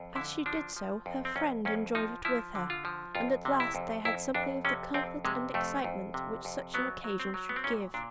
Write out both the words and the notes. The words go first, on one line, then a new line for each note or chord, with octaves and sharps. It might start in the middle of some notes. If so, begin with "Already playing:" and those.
As she did so her friend enjoyed it with her, and at last they had something of the comfort and excitement which such an occasion should give.
Already playing: F2
D3 E4
F3 D4
F3
F2
C4
F2 C#4
F2 C#4
F3 D#4
F3 E4
D3
F4
F3
F2 F4
C3
E4
F2
F2 E4
F2 D4
C3 C#4
F2 C4
C3 G#3
F2 A3
F2
C3
F2
F#3 B3
F#3
C4
F#3
B3
C4
A#2 C#4
A#2 D4